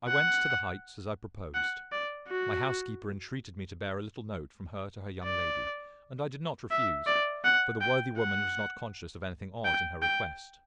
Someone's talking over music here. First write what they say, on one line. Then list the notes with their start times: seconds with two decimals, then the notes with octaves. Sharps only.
I went to the Heights as I proposed: my housekeeper entreated me to bear a little note from her to her young lady, and I did not refuse, for the worthy woman was not conscious of anything odd in her request.
0.08 F#5
1.54 F#5
1.92 D5
2.28 F#4
5.24 D5
6.71 E5
7.07 D5
7.45 F#5
7.81 G5
8.18 F#5
9.65 G5
10.02 G5